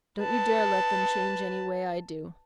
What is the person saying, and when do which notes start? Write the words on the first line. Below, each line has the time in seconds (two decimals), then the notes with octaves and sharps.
Don't you dare let them change any way I do.
0.20 B4 A5